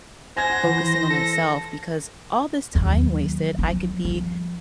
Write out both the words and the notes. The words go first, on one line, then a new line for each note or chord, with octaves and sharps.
focusing on myself, because all this time wasted, I could be,
C5 G#5 G#6 A#6
F#5
E3
A4
D#2 F#3
F3 F#3
F3